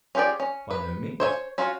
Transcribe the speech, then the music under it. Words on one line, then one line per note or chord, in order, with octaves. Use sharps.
"By no means."
C#4 F4 G4 G#4 D5
C#4
B4
C5 C#5 E5 G#5
C#4 F4 F#4 F5